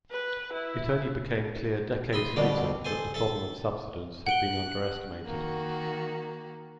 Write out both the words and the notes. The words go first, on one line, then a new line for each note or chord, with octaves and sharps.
It only became clear decades later that the problem of subsidence had been underestimated.
B4
E4
E5 B5 C6 D#6
B2 D3 G3 C4
A4 C5 G#5
A4 E5 A5
F#5 F#6 D7 G7
D#3 A#3 F#4